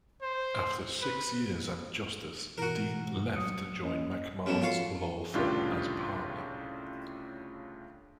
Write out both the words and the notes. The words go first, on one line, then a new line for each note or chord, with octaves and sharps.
After six years at Justice, Dean left to join McMahon's law firm as partner.
C5
B4
B2 E3 F#4 A#4
F#3 D#6 C#7
A#3 C#4 D#5
F#2 B2 E3 A4 F6
F3 F4 C#5 F5
C2 A2 C#3 D4 F4 G4